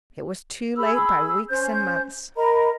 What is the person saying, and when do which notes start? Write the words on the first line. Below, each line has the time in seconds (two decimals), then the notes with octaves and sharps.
It was too late by weeks and months.
0.77 G#4 B5 E6
1.48 C#4 C5 G6
2.36 A#4 D#5 A#5 B5